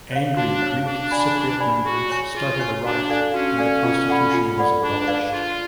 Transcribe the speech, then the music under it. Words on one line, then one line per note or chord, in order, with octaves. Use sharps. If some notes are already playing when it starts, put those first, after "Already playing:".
Angry Greek Cypriot members started a riot and the constitution was abolished.
C#5 F5
D4 F#4
C#5 F5
D4 G#4
D5 G#5 B5
G#4
D5 G#5 B5
F#4 G#4
C#5 G#5 C#6
F4 G#4
C#5 G#5 C#6
D4 F#4
A4 D5 F5 G#5
C#4 F#4
A4 D5 F5 G#5
F4
A4 D5 F#5 B5
F4
A4 D5 F#5 B5
D4 G#4
B4 D5 F5
F4 G#4